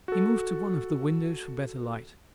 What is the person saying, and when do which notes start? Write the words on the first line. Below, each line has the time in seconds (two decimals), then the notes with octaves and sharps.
He moved to one of the windows for better light.
0.08 F#4 A4